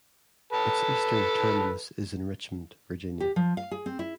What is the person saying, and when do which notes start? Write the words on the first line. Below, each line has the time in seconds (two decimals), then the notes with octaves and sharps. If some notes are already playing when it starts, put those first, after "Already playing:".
Its eastern terminus is in Richmond, Virginia.
0.53 A4 B4 A5
3.20 G4
3.36 F3
3.57 F5
3.71 G#4
3.86 C4
3.99 E4